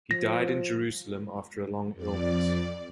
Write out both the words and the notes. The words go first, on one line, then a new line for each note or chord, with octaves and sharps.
He died in Jerusalem after a long illness.
F3 A#6
F2 D5